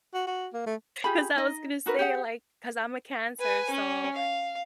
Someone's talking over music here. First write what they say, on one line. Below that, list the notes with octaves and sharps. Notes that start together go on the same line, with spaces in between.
'Cause I was gonna say like cause I'm a Cancer, so
F#4
F#4
A#3
A3
F4 G4 G#4 B5
D#4 D#5
D#4 F#4 A#4 B4
G4 G#4 F#5
B4 G#5
C#4
F5